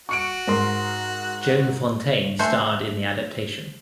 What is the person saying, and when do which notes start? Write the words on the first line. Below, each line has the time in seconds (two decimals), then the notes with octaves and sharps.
Joan Fontaine starred in the adaptation.
0.09 F#4 C#6 C#7 D7
0.47 G#2 A#4 C6
2.39 A3 C5 G#5